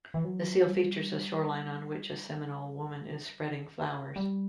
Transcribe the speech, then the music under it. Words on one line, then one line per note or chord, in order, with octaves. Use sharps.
The seal features a shoreline on which a Seminole woman is spreading flowers.
E3
F#3
G3
G3